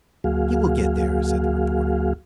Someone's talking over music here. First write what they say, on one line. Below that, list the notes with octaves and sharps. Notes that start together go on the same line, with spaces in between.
"He will get there!" said the reporter.
D2 F#3 A#3 F#4 G#4 F5